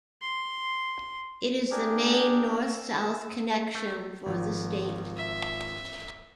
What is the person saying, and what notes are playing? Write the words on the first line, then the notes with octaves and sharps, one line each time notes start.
It is the main north-south connection for the state.
C6
D4 G4 G#4 A#4
E6
A3
G#1 F3
E5